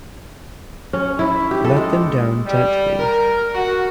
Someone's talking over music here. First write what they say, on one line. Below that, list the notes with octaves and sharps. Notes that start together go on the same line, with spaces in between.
Let them down gently.
C#4
E4
G4
A4
G#3
G3
A#4
F#4